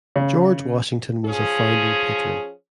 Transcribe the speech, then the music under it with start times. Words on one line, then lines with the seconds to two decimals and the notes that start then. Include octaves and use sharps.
George Washington was a founding patron.
0.16 C#3
1.25 F3 C#4 G#4